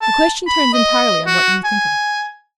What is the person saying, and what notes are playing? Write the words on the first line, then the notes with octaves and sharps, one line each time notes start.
The question turns entirely on what you think of me.
A5
B5
D#5
F#4
G#5